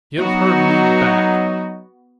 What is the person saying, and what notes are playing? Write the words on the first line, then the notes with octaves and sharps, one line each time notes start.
"Give her me back!"
F#3 B3 D#4 F#4